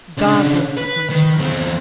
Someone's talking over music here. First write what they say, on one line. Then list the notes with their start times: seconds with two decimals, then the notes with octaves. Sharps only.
'God will keep my child.'
0.17 C#3 D4
0.77 B4
1.10 D#3
1.39 E2 C4